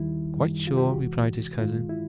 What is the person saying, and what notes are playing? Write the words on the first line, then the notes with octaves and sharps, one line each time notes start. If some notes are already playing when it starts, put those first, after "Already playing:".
'Quite sure,' replied his cousin.
Already playing: D#2 D#3 G3 E4
F#2 D#3 G3
F4
G4
F#4
D2 C3 E3 G#3
G2 D#3 G#3 F4
E4